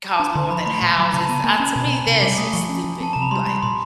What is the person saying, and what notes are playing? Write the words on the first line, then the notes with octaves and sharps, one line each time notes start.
cost more than houses. I To me, that's just stupid. Like
A5
D4 A#5
D3 C6
F3 B5
A3 B5
A#2 A#5
B5
F#3 A#5
C#3 A5
B3 A5
A#3 G#5
A#5
C#4 A5
B2 A#5
C4 B5
C3
G3 D6
A3 D#6
F3 C#6
C#4
F3
C4 A5
C3 A#5
B5
G3 C6
G3 B5
A#2 C6